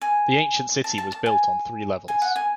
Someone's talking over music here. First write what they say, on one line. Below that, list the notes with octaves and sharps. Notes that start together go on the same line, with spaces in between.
The ancient city was built on three levels.
G#5
A5
A5
A5
G#5
G#5
F#5
G#5